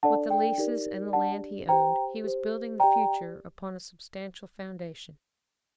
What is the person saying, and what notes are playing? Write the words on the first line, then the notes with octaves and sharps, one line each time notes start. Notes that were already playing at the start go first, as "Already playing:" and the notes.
With the leases, and the land he owned, he was building the future upon a substantial foundation.
D4 A4 D5 F#5 A5
G5
D#4 G4 A#4 D5
D4 G4 D5 F#5 A5
G4 C5 G5 A#5
G4 C5
G4 D5 G5 A#5